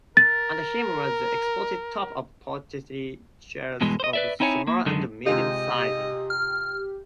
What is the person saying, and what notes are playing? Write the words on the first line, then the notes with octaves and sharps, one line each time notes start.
Under him were the exposed tops of pottery jars of small and medium sizes.
A#4 A6
E2 G2 B2 E3 G#3
C5 D#5
B4 D5 E5
C4 D#4 E4 C#5 G#5
A#3
F#2 D3 D#3 G#3
C3 G#3 F4 G4 D#5
F6